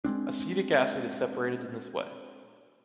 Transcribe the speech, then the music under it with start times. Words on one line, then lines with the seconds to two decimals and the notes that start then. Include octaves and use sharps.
Acetic acid is separated in this way.
0.05 G#3 B3 C4 D4